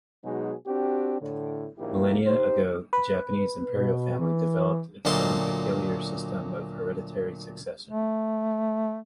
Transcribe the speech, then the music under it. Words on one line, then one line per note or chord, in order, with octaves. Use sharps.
Millennia ago, the Japanese imperial family developed its own peculiar system of hereditary succession.
B2 F#3 G#3 D#4 G#4
C4 D4 F#4 G4
A2 D3
A#1 D#2 A#3 E4 G4
D#4 G4 C5
B4
B2
E3
D2 A#2 F#3 D#5 A5 C6
A3